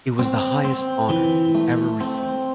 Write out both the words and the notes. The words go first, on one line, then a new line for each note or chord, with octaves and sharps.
It was the highest honor he ever received.
C4
C4
E3
A3
C4